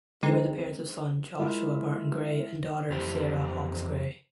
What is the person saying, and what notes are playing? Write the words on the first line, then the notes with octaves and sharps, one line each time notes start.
They were the parents of son Joshua Barton Gray and daughter Sarah Hawkes Gray.
D3 G#3 C4 D#4
G#3 E4 F4 A#4 E5
F2 E3 G4 C5